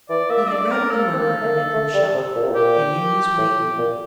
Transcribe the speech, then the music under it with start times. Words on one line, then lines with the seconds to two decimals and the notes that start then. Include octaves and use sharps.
He had read of the murder, and had been shocked, and, in his way, grieved.
0.09 E3 D5
0.29 A#3 E5
0.49 D4 D5
0.71 A#4
0.91 A#3 A4
1.13 C4
1.19 A#3
1.41 A3
1.46 A#3
1.73 A3
1.94 G3
2.14 C3
2.35 A#2
2.43 C3
2.51 A#2 G4
3.37 A2
3.78 A#2